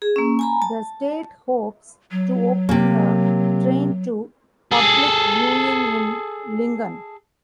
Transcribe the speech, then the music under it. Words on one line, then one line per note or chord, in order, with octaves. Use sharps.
The state hopes to open the train to public viewing in Lincoln.
G#4
A#3 C#4
G#5 A#5 B5
A5
F#3
C3 A#3
G#4 A4